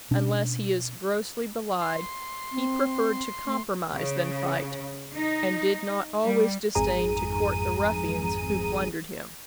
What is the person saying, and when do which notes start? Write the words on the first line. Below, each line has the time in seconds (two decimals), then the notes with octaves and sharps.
Unless he is grossly belied, he preferred to compromise than fight, and did not always disdain to court the ruffians who plundered him.
0.11 B2 C#4 D4
1.81 C6
2.52 C4
3.46 A3
3.94 C#3
5.14 D#4
6.24 G3
6.75 G#1 F2 G#2 G#4 A#5 D#7